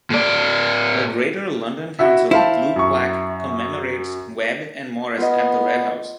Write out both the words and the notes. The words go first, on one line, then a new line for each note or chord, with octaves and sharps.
A Greater London Council blue plaque commemorates Webb and Morris at the Red House.
A2 D5
E4 F#4 E5
E4 C5 F5 A5
F#2 C#6
B3 F4 D#5